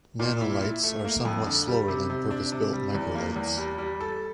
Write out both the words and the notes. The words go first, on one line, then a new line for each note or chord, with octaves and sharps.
Nanolights are somewhat slower than purpose-built microlights.
A#2
E4
E4
A3
A#3
F2
D3
G3
C3
C3
D4
C3
G3
E2
A#3
E2
G3
G3
A4